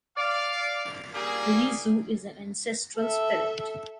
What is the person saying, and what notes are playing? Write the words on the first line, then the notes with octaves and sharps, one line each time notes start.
Alizu is an ancestral spirit.
D5 F5
G3 A#3 G#4
A4 E5